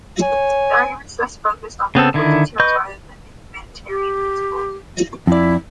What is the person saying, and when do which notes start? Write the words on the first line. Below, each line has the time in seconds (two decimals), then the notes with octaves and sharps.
The arguments thus focused on legal details rather than humanitarian principles.
0.22 C#5 G#5
1.95 C#3 B3 C4 A4
2.14 D3 D#3 E4
2.60 B4 D#5 C#6 G6
3.89 G4
5.27 F2 E4 D5